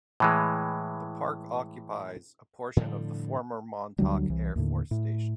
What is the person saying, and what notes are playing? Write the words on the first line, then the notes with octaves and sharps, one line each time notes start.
The park occupies a portion of the former Montauk Air Force Station.
A2 E3 G#3
A2 D3 F3 G3
D2 D3 F#3 G3
C2 E3
D#2 A2 D3
A2